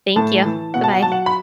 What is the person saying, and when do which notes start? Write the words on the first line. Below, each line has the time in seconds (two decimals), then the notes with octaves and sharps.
Thank you. Goodbye.
0.16 A2 A5
0.45 E3
0.74 B2 F#5
0.84 A5
0.93 F#5
1.02 F#3 A5
1.12 F#5
1.26 B5